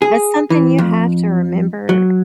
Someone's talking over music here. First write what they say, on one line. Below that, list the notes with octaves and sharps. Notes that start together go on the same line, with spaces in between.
That's something you have to remember.
G#4
E3
F2
F#3